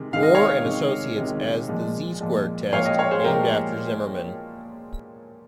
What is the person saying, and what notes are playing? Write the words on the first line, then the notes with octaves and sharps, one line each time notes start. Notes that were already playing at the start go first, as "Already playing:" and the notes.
Gore and Associates as the "Z Square" test, named after Zimmerman.
Already playing: C3 D#3 G#3
C3 D#3 G#3 F5
D#5
C#5 F5
C3 D#3 G#3
C3 D#3 G#3
A#2 F3 G#3
A#2 F3 G#3
A#2 F3 G#3 C#5 F5
D#5 G5
C#5 F5
G#4 C5
A#2 F3 G#3 G4 A#4